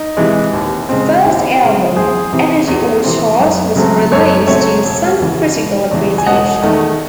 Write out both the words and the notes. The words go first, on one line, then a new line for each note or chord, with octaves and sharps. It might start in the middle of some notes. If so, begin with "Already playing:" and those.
The first album, "Energy Orchard", was released to some critical appreciation.
Already playing: D#4
C3 E3 G#3
D#2
C#3 G#3 C4
D#2 E4
C#3 G#3 C4
E2 G#4 C5
C3 E3 C4
E2
C3 E3 C4
F#2
C#3 F#3 A3 C4
F#2 A4 C#5
C#3 F#3 A3 C4 C#5 E5
E1
E2 C#3 E3
E1
E2 C#3 E3
G#5
E1 D#5 F#5
E2 D#3 A3